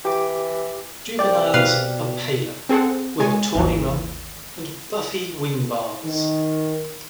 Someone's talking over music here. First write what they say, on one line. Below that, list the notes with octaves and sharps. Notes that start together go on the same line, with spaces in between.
Juveniles are paler, with a tawny rump and buffy wingbars.
E3 G4 D6
C2 D5 G5
B2 B4 F5
C4 G#4 A4 C5 F#5
G#3 C#5 G#5
G#1 D#2 E3
D#3